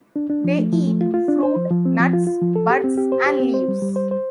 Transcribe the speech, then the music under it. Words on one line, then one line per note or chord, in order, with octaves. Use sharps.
They eat fruit, nuts, buds and leaves.
D4
D4
F3
A3
F3
A3
F4
F4
D4
C5
F3
F3
C4
F3
F4
F4
F3
A4
G4
C4
G4
C5
G4
C4
C5
G3
G3
C5
C5